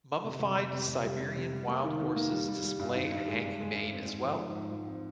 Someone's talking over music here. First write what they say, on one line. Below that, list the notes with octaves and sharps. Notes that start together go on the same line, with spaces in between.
Mummified Siberian wild horses display a hanging mane as well.
C3
C3
C3
C3
C3
G3
G3
C3
G3
A#3
D#3
D#3
A#3
G3
G3
G3
G2
D#3
G2
G#3
G2
G#3
G2
C4
G#2
F3
G#2
G#2
F3
C4